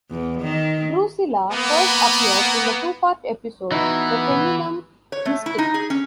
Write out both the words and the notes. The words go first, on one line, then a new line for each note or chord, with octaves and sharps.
Drusilla first appeared in the two-part episode "The Feminum Mystique".
E2
D#3
A#3 B3
E3 B3 D#4 E4 F#4
C#5
A3
E4
D#4
G#4
C#4